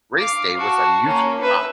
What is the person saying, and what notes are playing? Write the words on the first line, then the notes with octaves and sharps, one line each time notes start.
Race day was unusually hot.
F5 D6
F#4 A5
A#3 C#4
B4 E5